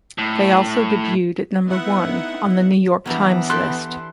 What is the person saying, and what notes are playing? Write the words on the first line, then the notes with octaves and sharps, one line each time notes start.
They also debuted at number one on "The New York Times" list.
A2
B3 D#4 E4 E5 F#5
E3 F#3 G3 B3 D4
G4 A4 C6 F#6